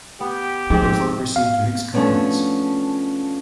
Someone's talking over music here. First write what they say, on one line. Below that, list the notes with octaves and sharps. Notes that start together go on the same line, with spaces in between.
The plot received mixed comments.
B3 G4
G#2 F3 C4
F5
F3 A3 B3 C#4 D4